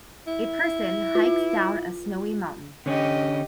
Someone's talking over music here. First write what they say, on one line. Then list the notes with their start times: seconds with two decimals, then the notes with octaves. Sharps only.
A person hikes down a snowy mountain.
0.27 E4
1.15 F4
2.86 D3 C#4 G4 D#5